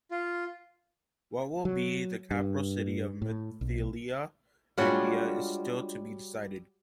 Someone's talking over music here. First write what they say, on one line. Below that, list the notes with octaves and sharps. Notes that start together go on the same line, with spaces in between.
What will be the capital city of Mithila, India is still to be decided.
F4
F#3
G2
A2
B1
G3 G#3 D4 F4 F#4 C#5